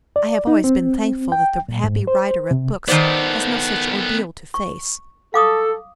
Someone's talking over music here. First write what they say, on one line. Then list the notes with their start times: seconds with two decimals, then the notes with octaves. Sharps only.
I have always been thankful that the happy writer of books has no such ordeal to face.
0.16 D5
0.47 D#4
0.64 C4
1.32 G5
1.69 A#2
1.84 G#2
2.07 C5
2.51 C3
2.88 D#3 B3 A4 C5 D5
4.54 C#6
5.34 A4 F5 D6 D#6